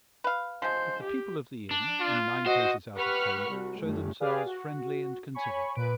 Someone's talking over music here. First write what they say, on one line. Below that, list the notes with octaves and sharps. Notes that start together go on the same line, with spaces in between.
But the people of the inn, in nine cases out of ten, show themselves friendly and considerate.
B4 F5
F3 G#3 C5
G4
D4
F4
F#4 C5 D#5
G4 B4 F#5 B5 C#6 F6
C2 F#4
G1 F#2 A3
G4 G#4 B4 D5 F5 G#5
F#4
C#5 G#5 B5 C#6
A#2 B4 D7